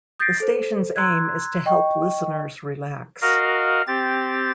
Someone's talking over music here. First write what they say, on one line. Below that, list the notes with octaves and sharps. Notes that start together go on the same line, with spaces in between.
The station's aim is to help listeners relax.
D#6 G6 A6 A#6 C7 D7
A4 C5
A#5 C6 E6 F#6 G#6
D#5 G5 C#6
F#4 A#4 D#5 F5
C4 G4 A6